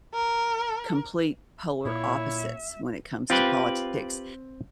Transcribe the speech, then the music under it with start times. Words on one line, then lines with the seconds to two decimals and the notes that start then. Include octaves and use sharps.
complete polar opposites when it comes to politics,
0.14 A#4
1.85 A#2 E4 C#5 E5
3.30 C4 F4 G4 B4